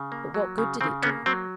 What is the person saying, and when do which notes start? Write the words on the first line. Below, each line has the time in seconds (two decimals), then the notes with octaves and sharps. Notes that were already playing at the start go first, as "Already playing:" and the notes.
But what good did it do?
Already playing: C#3
0.12 A#3
0.34 F#3
0.58 C#3
0.81 C#3 C4
1.03 A#3 B3 C#4
1.26 F#3 C4